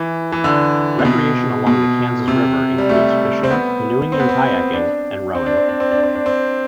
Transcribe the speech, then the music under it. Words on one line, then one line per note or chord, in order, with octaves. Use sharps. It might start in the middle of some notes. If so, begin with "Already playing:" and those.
Recreation along the Kansas River includes fishing, canoeing and kayaking, and rowing.
Already playing: E3
E3
D3
C3
B2
B2
C3
G3
A3
C4
B3
C4
B3
C4
D4
C4
D4
C4
D4
C4
D4
C4
D4
C4